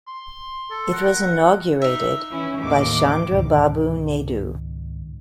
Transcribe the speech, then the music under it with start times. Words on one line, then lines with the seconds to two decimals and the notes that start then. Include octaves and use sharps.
It was inaugurated by Chandrababu Naidu.
0.08 C6
0.71 A4
0.93 A#4 F#5
1.82 D#4 E5
2.31 E3 C#4 E4
2.61 A1 D#2 D6
3.32 C#2 G#2 B2 D#3